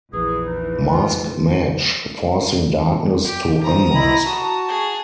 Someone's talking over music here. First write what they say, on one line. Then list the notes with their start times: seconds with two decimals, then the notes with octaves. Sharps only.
Mask Match, forcing Darkness to unmask.
0.13 A#1 E2 E3 G#4 B4
0.47 D#4
0.92 F4
3.24 G4
3.63 F3 A#5 D#6
3.94 E4 D#5 B5
4.25 F#4 A5
4.69 G#4